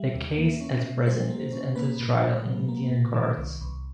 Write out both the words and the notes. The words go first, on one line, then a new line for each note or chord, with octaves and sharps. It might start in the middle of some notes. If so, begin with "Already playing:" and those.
The case at present is under trial in Indian courts.
Already playing: G3 E5
D#2
A#3
C#4
B2
G3 C5
A#3
C#4
A#3 B4
A#2
A#2
F#3
A#3
A#2
D#3
C2
C2